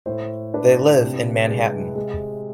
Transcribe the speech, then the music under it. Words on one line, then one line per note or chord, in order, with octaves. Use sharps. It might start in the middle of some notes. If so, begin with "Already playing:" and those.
They live in Manhattan.
A2 C5
D4 B4
C3
G#3
G#3